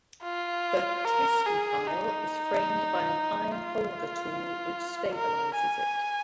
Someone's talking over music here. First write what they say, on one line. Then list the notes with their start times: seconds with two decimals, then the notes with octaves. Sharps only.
The "testi" pile is framed by an iron holder tool which stabilizes it.
0.24 F4
1.05 A#4
1.46 G#4
1.87 D#4
3.51 F4
5.14 A#4
5.56 G#5